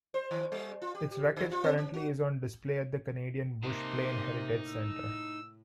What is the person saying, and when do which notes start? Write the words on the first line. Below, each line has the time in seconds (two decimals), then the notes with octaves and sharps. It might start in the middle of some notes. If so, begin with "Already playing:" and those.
Its wreckage currently is on display at the Canadian Bushplane Heritage Centre.
0.14 C5
0.31 D#3
0.52 G3
0.82 F4
0.95 G4
1.11 G4
1.36 D3
1.51 F4
1.64 C4
1.78 C#4
1.94 F#4
3.63 C3 A#3 D#4 A5 C6
4.67 A2 E6